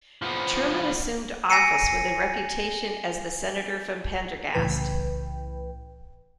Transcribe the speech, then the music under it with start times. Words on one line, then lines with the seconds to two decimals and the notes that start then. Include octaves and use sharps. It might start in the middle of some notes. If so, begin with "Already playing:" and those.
Truman assumed office with a reputation as the Senator from Pendergast.
0.22 F3 B3
1.50 G#5 A#6 C7 C#7 D#7
4.54 C2 A2 C#3 E3 B4 G5